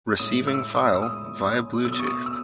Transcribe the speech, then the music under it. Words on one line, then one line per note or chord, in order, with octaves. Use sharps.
Receiving file via blue tooth.
A2 G#3 D#6
E6
D#6
E6
A2 G#3 D#6
D#6
B2 F#3 A3 E6
D#6
C#6
D#6
E6